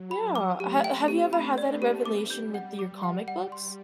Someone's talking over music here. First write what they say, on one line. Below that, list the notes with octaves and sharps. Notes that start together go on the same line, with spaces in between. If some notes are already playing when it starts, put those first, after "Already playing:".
Yeah, h have you ever had that revelation with your comic books?
Already playing: F#3
B5
D6
A3 G4
G5
C4
G4
D4 B5
D5
B3
G4
G3 D6
G6
F#5
D6
F#5
F#5
C6